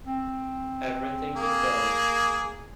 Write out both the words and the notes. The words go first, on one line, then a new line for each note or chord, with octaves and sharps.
Everything is gone.
C4
A#3 G#4